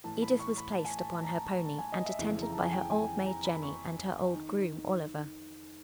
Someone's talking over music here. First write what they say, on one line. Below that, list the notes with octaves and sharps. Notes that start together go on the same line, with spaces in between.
Edith was placed upon her pony and attended by her old maid Jenny and her old groom Oliver.
A2 E3 A5
B5
C#6
B5
A5
G#5
A5
A5
A#5
A5
A#5
A5
G#5
D#5
E5
F2 C#3 E3
A#5
A5
G#5
G5
G#5
A#5
B5
C#6
D#3